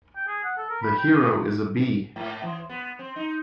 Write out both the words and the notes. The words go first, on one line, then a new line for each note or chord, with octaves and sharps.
The hero is a bee!
G5
G#4
F#5
A4
A#4
B5
G5
D#6
G#2
E3
B3
C4
D#4